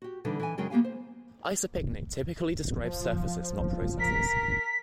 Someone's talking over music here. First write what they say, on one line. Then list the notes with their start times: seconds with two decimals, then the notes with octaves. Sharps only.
Isopycnic typically describes surfaces, not processes.
0.02 F#4 G4
0.25 D3 E3 G3 D#4 A4 B4
0.39 E3 D#5 G#5
0.58 F#2 C#3 F#3 G#3 A#4 G5
0.70 A#3 B3 G4 F5 G#5
0.84 C5
2.83 F3
4.00 A#4 B6